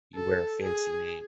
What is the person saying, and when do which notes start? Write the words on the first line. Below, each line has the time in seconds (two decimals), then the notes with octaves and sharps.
You wear a fancy name.
0.15 A4
0.63 G#4